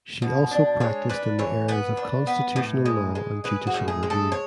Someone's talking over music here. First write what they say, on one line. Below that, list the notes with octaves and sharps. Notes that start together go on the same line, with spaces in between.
She also practiced in the areas of constitutional law and judicial review.
B2
D4
G#3 C#5
D4 B4
E3 C#5
B3 B4
D4
B3
A2
G#3
G#3
G#3 B4
F#4
A2
G#4
G#3
A4
C#5